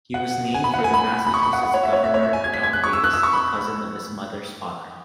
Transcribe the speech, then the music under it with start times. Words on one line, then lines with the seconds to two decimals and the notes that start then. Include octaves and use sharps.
He was named for Massachusetts Governor John Davis, a cousin of his mother's father.
0.14 F#5
0.54 G#5
0.64 B5
0.74 F#5
0.84 G#5
0.94 B5
1.27 B5
1.34 C#6
1.43 B5
1.53 F#5
1.63 F#5
1.74 C#5
1.83 E5
1.93 C#5
2.04 E5
2.14 C#5
2.23 E5
2.33 G#5
2.44 G#6
2.53 B6
2.63 G#6
2.73 F#6
2.84 C#6
2.93 E6
3.04 F#6
3.13 E6
3.23 C#6
3.33 B5